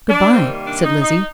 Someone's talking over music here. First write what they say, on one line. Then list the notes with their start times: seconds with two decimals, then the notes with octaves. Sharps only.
"Good-bye," said Lizzie.
0.10 D4
0.32 C3 D#3 G3 A#3 C4
0.67 D4
0.84 D#4
1.02 D#4